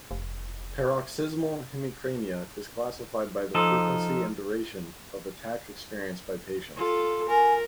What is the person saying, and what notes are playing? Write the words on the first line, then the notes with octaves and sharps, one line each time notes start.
Paroxysmal hemicrania is classified by the frequency and duration of attacks experienced by patients.
F1
F3 D#4 A4
F4 A4
A#4 G#5